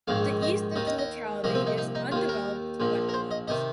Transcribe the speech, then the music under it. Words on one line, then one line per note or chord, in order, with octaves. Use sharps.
The east of the locality is undeveloped wetlands.
A#1 G#2 D#3 F5
D#5
D#2 D#3 D#5
D#5
D#5
C2 A#2 F3 D#5
C4
D#4
D#4
D#4
D#2 D#3 F4
A#4
A#1 A#2 F3
A#4
C5
D#5
C3 D#3 D#5